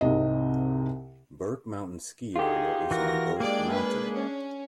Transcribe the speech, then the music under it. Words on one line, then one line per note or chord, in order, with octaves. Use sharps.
Burke Mountain Ski Area is on Burke Mountain.
C2 G#2 C3 D#5
D#4 F4 G4 G#4
E3 F#4 A#4 A#6
G#3 A#3 D4 G#4 D5
B4
C#4